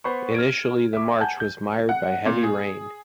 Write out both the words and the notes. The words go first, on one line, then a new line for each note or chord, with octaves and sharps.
Initially the march was mired by heavy rain.
B3 C5 B5 C#6
F6 G#6 D7
E5 D6
F#5 G#5 A5 G6
G6
F#5
A#2
G#4